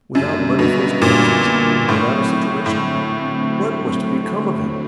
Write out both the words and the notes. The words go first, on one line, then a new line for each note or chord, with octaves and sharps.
Without money for his classes, and without a situation--what was to become of him?
F#2 D3 G3 A#3 D4
B2
A#2
A2 D3 F#3 A3 C4
A2